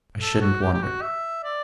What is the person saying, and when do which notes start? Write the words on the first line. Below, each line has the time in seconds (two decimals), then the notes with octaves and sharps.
I shouldn't wonder!
0.22 A4
0.41 F#4
0.62 G4
0.73 G4
0.82 F#4
1.02 E5
1.44 D5